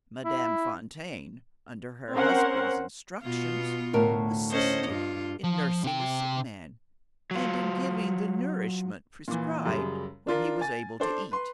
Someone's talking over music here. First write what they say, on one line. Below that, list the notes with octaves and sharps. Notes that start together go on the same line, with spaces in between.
Madame Fontaine, under her husband's instructions, assisted in nursing the sick man, and in giving the nourishment prescribed when he was able to eat.
E4
C4 C#4 A#4 C5 F#5
B2 B3 F4
D2 A2 A#4
C#4 C5 D#5
G2 F4
F3
C3 G5
F#3 F4
A#2 E3
F#2 C#3 G3
D4 F4 A#4
G#5 A6
D4 A4 C5 D5
B4 C6